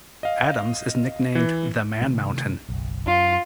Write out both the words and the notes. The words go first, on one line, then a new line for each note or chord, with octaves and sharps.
Adams is nicknamed "The Man Mountain".
D#5 F5
E3
C3 D#3 A3
F#1 B1
F#2 F4